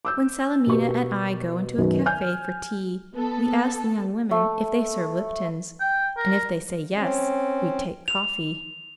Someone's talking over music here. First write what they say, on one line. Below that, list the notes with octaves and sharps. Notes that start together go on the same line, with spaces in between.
When Salemina and I go into a cafe for tea we ask the young woman if they serve Lipton's, and if they say yes, we take coffee.
D6 E6 G6
B2 B3 G4 A#4 C#6
F#2 B2 D#3
G#5 F6 G6
B3 A4
A3
G5
A#4
C4 C#4
F7